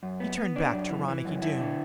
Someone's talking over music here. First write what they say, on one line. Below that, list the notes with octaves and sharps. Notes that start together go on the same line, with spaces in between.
He turned back to Ronicky Doone.
F#2
B3
B3
D4
F#2
E3
E3
F#2
E4
D3